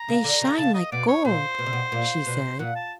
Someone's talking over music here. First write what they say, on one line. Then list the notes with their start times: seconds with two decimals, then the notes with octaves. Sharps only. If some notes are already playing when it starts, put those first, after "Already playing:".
"They shine like gold," she said.
Already playing: A#5
0.08 C#3
0.24 D3
0.41 C#3
0.58 C#3 A5
0.74 D#5
0.92 B2 D5
1.08 C#5
1.25 A#2 C5
1.59 B2
1.66 C3
1.73 B2
1.92 A#2
2.27 B2
2.59 A#2 F#5
2.76 A5